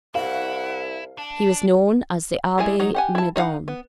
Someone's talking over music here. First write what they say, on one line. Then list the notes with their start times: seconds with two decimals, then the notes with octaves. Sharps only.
He was known as the Abbe Midon.
0.15 C2 E4 F5 F#5
1.18 D4 A5
2.58 G3 G#3 E4 G#5
2.80 F#3 D#4
2.94 G4 F#5 G#5
3.15 E4 A5
3.36 D#4 D#5 F5 F#5
3.68 B3